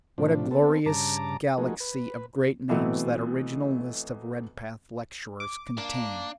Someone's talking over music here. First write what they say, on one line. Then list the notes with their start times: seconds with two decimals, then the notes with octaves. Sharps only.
What a glorious galaxy of great names that original list of Redpath lecturers contained!
0.18 A2 C3 F3 D4
0.51 B3 C4 A4
0.86 G2 C#3 A5 A#5 D6
1.58 F3 A3 A#3 D#4 F#4 G#4
1.80 B4
2.69 B2 E3 F#3 A3 C4
5.40 D6
5.78 A#3 D4